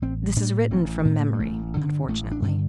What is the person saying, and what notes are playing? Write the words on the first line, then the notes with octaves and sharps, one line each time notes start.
This is written from memory, unfortunately.
A1 C4
A2 D4
A1 C4
A2
C4
A#3
A#3
A1 A3
G2 D3
A1 A3
D4
G2
D3